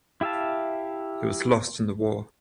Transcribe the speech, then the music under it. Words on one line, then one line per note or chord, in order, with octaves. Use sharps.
It was lost in the war.
E4 G4 E5 F5 A5